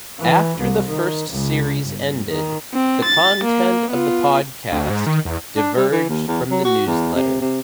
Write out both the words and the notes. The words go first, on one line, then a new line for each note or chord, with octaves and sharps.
After the first series ended, the content of the podcast diverged from the newsletter.
E3
C2
D#3
C#2
G1
D#3
C4
A6
A#3
B3 F4
D2
G#2
D#3
E2
D4
G3
E3
D#2
E2
F#3
F#4
E2
C3
C3